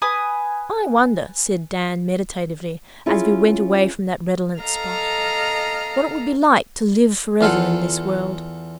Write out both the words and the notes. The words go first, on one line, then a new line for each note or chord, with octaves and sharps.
"I wonder," said Dan meditatively, as we went away from that redolent spot, "what it would be like to live for ever in this world."
B4 G#5 D#6
C#4 E4 F4 G#4 C#5
A4 D#5 F5 A#5 F6
E2 F4 A4 F#5